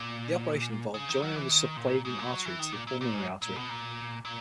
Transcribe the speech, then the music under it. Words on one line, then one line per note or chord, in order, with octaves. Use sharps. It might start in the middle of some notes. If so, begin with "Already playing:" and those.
The operation involved the joining of the subclavian artery to the pulmonary artery.
Already playing: A#2
C#3
D#3
F#3
E3
D#3
A#2
G#2
A#2
F#3
E3
D#3
A#2
A#2
A#2
G#2
A#2
B2
A#2
A#2